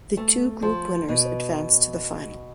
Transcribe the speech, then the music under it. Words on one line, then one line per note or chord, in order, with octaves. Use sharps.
The two group winners advance to the final.
A3
F3
B2